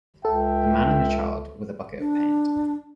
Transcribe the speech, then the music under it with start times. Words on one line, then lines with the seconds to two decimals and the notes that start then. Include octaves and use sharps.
A man and a child with a bucket of paint.
0.25 C#2 A4 E5 G5
2.00 D4